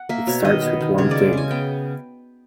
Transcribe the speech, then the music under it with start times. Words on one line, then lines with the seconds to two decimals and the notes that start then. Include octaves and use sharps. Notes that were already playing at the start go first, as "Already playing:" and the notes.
It starts with one thing.
Already playing: F#5
0.09 A#3 E5
0.27 B2 C#5
0.45 D#3 D#5
0.63 B3
0.81 D#3
0.98 C#3 C#5
1.11 G#3 D5
1.33 C#3 G#5
1.51 B3 G5